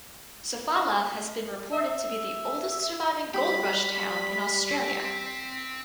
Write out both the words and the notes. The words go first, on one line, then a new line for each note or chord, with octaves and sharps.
Sofala has been reported to be the oldest surviving gold-rush town in Australia.
E5
G3 G4 B5 B6
C4